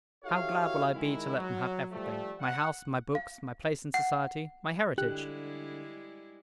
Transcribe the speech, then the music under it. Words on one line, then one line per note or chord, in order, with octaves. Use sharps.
How glad will I be to let them have everything,--my house, my books, my place in society, my heritage!
E4 F#4 G4 A4 C#5 F5
D#3 G#3 E4
F#3
F3 G3 A3
F#5
F5
F#5
D3 G3 G#3 E4 G4 F#6